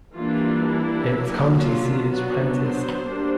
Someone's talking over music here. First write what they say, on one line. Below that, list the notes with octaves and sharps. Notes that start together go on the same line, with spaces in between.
Its county seat is Prentiss.
E3 G3 A#3 D4 F4
E4
F#3 A#3 D4
F4
F#3 B3 D4 F#4
C5
G3 A#3 D4